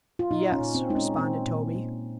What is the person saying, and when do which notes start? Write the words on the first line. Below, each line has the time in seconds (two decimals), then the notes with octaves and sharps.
"Yes," responded Toby.
0.19 F4
0.31 A#2 D#4
0.52 C#4
0.61 A#2
0.75 C4
0.89 G#3 D#4
0.96 C#4
1.18 A#2 C4
1.47 A#2
1.76 A#2